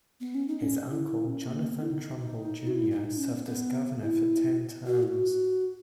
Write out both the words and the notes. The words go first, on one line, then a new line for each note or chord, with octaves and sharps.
His uncle, Jonathan Trumbull Junior served as governor for ten terms.
B3
C#4
D#4
C#4
E4
E4
C#4
A#3
B3
E4
D#4
F#4
E4
E4
D#4
C#4
B3
B3
E4
F#4
E4
F#4